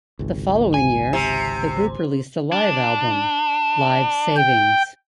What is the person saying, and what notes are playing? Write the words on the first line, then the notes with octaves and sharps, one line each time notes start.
The following year, the group released a live album, "Live Savings".
G#1 C#2
G#5
C3
D4
G5